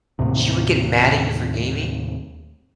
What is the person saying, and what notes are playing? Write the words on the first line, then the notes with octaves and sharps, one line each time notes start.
She would get mad at you for gaming?
D#2 A2 C3